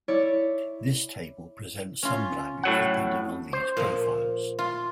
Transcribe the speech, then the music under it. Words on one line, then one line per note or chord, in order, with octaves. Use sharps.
This table presents some values depending on these profiles.
E4 C#5 D5
C#4 F4
A2 F#3 F#5
C5
A#2 F3
F4